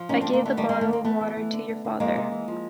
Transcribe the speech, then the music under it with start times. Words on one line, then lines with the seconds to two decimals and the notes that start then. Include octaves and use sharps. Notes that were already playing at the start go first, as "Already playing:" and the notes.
I gave the bottle of water to your father.
Already playing: F3
0.09 D2 C#4 D#4
0.21 D2 C4 D4
0.33 A#3 C4
0.41 D3 A3 B3
0.57 D#3 G3 A3
0.69 D#3 G#3 A#3
0.81 A3 B3
0.89 D#2 A#3 C4
1.04 E3 A3 B3
1.21 E3
1.37 E3
1.53 D3
1.68 D3
1.85 D3
2.00 F2 G#3 A#3
2.16 C3
2.32 E3
2.48 F3